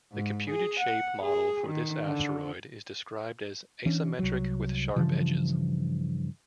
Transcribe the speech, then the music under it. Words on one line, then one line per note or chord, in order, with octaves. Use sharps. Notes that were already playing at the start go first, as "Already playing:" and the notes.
The computed shape model for this asteroid is described as "asymmetric with sharp edges".
G#2
G#4
F#5
G#4
D#3
D3
E3 C#4 D4
C2 F#3
G2 C#3 E3 F3